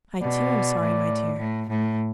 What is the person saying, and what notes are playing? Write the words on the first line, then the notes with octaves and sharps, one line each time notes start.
'I too, am sorry, my dear.
B2 D5
A2
A2
A2